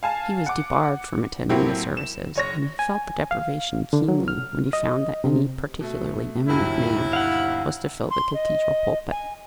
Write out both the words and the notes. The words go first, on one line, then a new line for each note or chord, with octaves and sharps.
He was debarred from attending the services, and he felt the deprivation keenly when he found that any particularly eminent man was to fill the cathedral pulpit.
F5 G#5 A5
F#5 D6
A2 F#3 A#3 C4 E4 G4
E7
F#1 C#5 A#6
G#5
F5
D3
F#3
F6
D#5
C3
B2 A3
G1 D#2 B2 E4
F5 F#5
C6
D#5
G#5